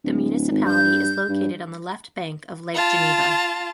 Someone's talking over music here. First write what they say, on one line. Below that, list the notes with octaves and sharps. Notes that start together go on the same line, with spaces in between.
The municipality is located on the left bank of Lake Geneva.
D1
G#1
G2 G6
G2
F4 A5